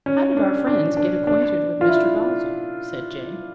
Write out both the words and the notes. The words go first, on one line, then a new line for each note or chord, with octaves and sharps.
"How did our friends get acquainted with Mr. Dalzell?" said Jane.
C#4
D4
D4
D4
D4
F4
E4